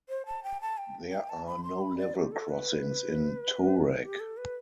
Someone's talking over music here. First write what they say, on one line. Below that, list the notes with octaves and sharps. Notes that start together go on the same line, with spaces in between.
There are no level crossings in Toorak.
C5
A5
G5
A5
G5
G5
A5
B5
C6
B5
D5
G4
A4
B4
G4
A4
B4